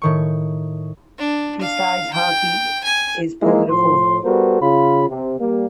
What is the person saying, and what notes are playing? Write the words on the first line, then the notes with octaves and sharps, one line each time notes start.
Besides, hockey is political.
A2 D#3 C#6
D4
F5
G5
G#5
F3 G#3 A#3 D#4 E4
A2 F3 C6
G3 B3 F#4 A4 A#4 C5
C#3 F4 B5
C3
G3 A#3